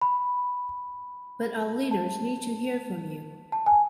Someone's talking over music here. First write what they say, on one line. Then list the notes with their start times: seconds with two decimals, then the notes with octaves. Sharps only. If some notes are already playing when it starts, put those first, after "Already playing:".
But our leaders need to hear from you.
0.02 B5
1.91 A5
3.52 A5
3.66 G#5